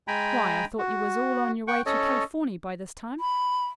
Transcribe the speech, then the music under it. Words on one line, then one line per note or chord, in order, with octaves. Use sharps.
'Why, I thought you was all on your way to Californy by this time.
G#3 G5 G#5 A#5 B5
F#4
F#5 G5 C#6
C#4 A4 C#5 D#5
B5